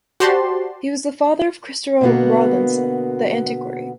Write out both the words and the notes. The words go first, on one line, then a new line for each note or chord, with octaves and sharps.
He was the father of Christopher Rawlinson the antiquary.
F#4 G4 C5 D5 A5 C6
B2 D3 A#3 B3 F#4